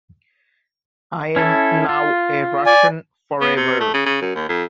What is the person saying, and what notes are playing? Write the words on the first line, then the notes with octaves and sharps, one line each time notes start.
I am now a Russian forever.
C#4 E4 A4
F4
D5 G#5
B3
C3
A3
C#3
C#3
F#2
D#2
F2